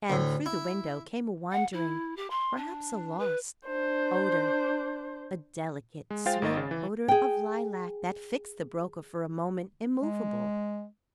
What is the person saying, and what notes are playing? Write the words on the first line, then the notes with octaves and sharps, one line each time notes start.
And through the window came a wandering--perhaps a lost--odour--a delicate, sweet odour of lilac that fixed the broker for a moment immovable.
D2 A2
E4
F#5
E4
G4
C6
D4
B4
D4 C5
G#3
G#3 F4 C5 F5 G5 A6
G#1 D#3 D#5 A6
C#3
E3
G#4 G5
G#3